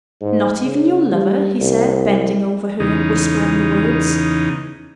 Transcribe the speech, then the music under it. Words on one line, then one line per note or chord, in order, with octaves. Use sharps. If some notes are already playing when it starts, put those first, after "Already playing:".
"Not even your lover?" he said, bending over her and whispering the words.
G#2
C#3
G3
C2
E2 C#3 D#4